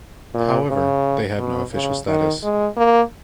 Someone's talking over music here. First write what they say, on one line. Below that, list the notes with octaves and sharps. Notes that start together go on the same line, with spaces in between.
However, they have no official status.
A#2
C#3
B2
C#3
D#3
G#3
A#3